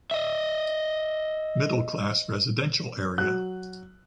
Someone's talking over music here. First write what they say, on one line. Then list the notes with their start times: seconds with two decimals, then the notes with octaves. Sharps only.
Middle class residential area.
0.11 D#5 E5
3.18 F#3 F#6